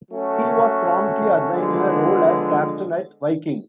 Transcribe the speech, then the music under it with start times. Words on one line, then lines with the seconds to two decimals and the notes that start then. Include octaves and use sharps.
He was promptly assigned the role as captain at Viking.
0.11 F#3 A3 C#4 F#4 A4
1.52 D3 F3 G#3 B3